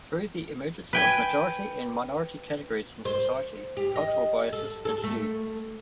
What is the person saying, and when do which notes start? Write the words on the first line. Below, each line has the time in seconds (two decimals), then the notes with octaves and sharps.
Through the emergence of majority and minority categories in society, cultural biases ensue.
0.93 B4 G5 G#5
3.05 C5
3.77 G4
3.96 D#5
4.53 A4
4.85 A4
5.04 A3